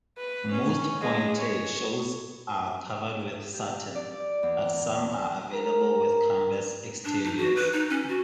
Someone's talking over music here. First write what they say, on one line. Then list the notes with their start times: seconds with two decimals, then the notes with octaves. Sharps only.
Most pointe shoes are covered with satin, but some are available with canvas exteriors.
0.18 B4
0.52 C#4
1.01 G#3
1.39 C#5
3.54 G4
3.95 D5
4.43 E2
5.53 A#4
7.04 D4
7.25 D#4
7.37 F#4
7.56 B4
7.73 D#4
7.90 C#4
8.09 F#4